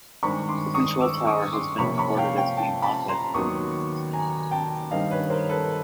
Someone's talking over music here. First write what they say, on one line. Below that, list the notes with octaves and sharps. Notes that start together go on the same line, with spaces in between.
The control tower has been recorded as being haunted.
G2 D#3 G#3 C4 B5 C#6
C6 D6
C#6 D#6
D6 E6
C#6 D#6
C6 D6
C3 F3 A#3 C#4 B5 C#6
B5 C#6
F5 G5
F5 G5
G5 A5
A5 B5
A#5 C6
D#2 D#3 F#3 B3 C#6 D#6
G#5 A#5
G5 A5
G2 D#3 G3 C4 D#5 F5
B4 C#5
A#4 C5
A4 B4